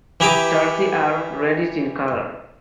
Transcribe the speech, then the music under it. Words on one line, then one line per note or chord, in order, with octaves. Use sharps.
Tarsi are reddish in color.
E3 E4 G4 A#5 D6 D#6